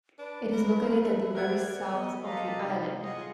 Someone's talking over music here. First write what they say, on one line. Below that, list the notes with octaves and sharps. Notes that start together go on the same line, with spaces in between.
It is located at the very south of the island.
D4 B4
A#4
A3
C4 A#4 D5 E5 F#5 G#6
B3 D#5
G4 A4 B4 D#5 F5 A#5
C3 D#4
F4 G#4 D#5 F#5